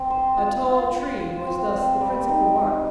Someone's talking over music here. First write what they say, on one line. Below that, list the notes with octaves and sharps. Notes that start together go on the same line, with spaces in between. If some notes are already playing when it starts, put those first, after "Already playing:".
A tall tree was thus the principal mark.
Already playing: C4
C5
F4
F4
F4
C5
C4
C4
G3
D#4
D#4